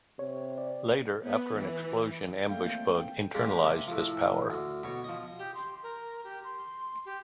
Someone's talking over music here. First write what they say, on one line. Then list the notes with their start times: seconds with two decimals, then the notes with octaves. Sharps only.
Later, after an explosion, Ambush Bug internalized this power.
0.19 C3 C#5
0.58 D5
1.24 B3
1.57 E3
2.49 A#2 G3 A3 C4 A4 F5 G5
3.34 G#3 A#3 C#4 G4 G#4
3.65 C3
3.88 A2 F3
4.50 D2
4.83 B2 C#5
5.04 F3 D#5
5.39 G4
5.54 C6
5.83 A#4
6.24 G4
6.44 C6
7.05 G4